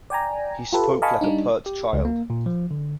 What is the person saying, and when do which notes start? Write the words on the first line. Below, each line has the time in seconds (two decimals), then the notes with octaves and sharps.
He spoke like a pert child.
0.10 D5 G5 G#5 A#5
0.73 F4 G4 A4 B4
1.02 D#5 F5 G#5 A5 B5 C#6
1.21 G3 D4 D#4
1.66 G4
1.93 C#2
2.05 A#3
2.30 A#2
2.46 F3
2.71 D3